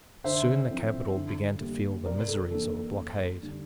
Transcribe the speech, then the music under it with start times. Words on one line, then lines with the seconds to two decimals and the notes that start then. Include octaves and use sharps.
Soon the capital began to feel the miseries of a blockade.
0.24 D3 C5 E5
0.70 F3 C4 E4
1.15 D3
1.61 G3 A#3
2.06 C3 A#4 D5
2.28 A4
2.51 E3 A#3 D4 A4
2.68 A#4
2.74 A4
2.96 F2
3.42 D3 G3 D4